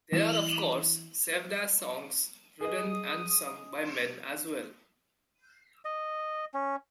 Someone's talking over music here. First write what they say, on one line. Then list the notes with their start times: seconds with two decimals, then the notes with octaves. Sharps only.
There are of course, Sevdah songs written and sung by men as well.
0.12 E3 E7
2.61 G#4 D#5 D#6
5.85 D#5
6.54 C#4